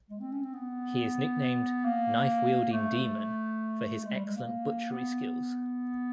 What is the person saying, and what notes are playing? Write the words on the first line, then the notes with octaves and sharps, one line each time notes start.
He is nicknamed "Knife Wielding Demon" for his excellent butchery skills.
G#3
C4
C#4
C4
B3
A#3
A3
G#3
G3
G#3
A#3
B3